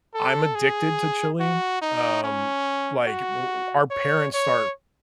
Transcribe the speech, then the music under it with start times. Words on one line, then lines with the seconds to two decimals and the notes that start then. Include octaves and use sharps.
I'm addicted to chili. Um. Like, w our parents start
0.14 A4
0.55 G#4
1.40 F#4
1.82 D#4
2.24 C#4
3.07 F#4
3.91 C#5
4.34 C#5